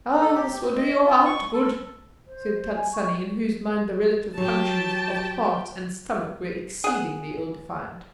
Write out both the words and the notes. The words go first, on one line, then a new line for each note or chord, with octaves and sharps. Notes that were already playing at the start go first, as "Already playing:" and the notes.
"Ah, this will do your heart good," said Tant Sannie, in whose mind the relative functions of heart and stomach were exceedingly ill-defined.
A4
G4
C4
D#5
F4
C#6
A4
C5
G#5
C#6
F#3 G4 G5 A5
G#4 F#5